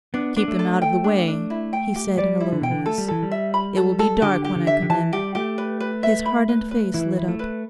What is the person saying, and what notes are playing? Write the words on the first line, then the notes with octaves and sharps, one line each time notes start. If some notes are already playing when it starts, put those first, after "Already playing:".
'Keep them out of the way,' he said in a low voice; 'it will be dark when I come in.' His hardened face lit up.
B3 D4
B3 D4
A3
A4
G5
D4
D4
E4
G5
G4
G3 D5
E4
D3
B2 G5
D3
A3 A4
G3
E3 A4
G3
E5
B5
A4
A4
D3 G4
G4
D3
E5
D3
E3 A5
G3 G4
A3 G4
B4
B4
E5
B5
B4
B4
E3 E4
E4
A3
B4